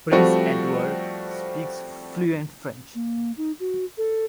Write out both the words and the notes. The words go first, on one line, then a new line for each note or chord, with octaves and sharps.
Prince Edward speaks fluent French.
F3 G3 A3 C4 F#4
A#3
D#4
F#4
A4